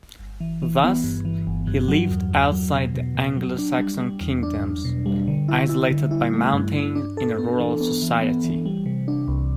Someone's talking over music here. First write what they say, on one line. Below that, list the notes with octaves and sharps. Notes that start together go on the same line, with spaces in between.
Thus, he lived outside the Anglo-Saxon kingdoms, isolated by mountains in a rural society.
G1
E3
E3
B3
G2
E3
G1
G2
F#3
E2
E2
F#3
B2
B2
B2
F#3
D4
G3
G3
E2
D4
E2
B2
G3
D3
E4
E4
D3
E4
A3
G2
G2
D4
A4
B3
E3
B3
E3
B3
E3
G3
C3
D4
C2